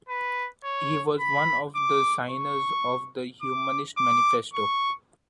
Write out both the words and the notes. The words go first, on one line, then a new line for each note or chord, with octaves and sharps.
He was one of the signers of the Humanist Manifesto.
B4
C#5
B5
D6
C#6
D6
D6
C#6